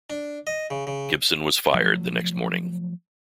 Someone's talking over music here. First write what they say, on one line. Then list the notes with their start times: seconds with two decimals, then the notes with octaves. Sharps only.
Gibson was fired the next morning.
0.10 D4
0.47 D#5
0.70 C#3
0.87 C#3
1.74 F3 F#3 A3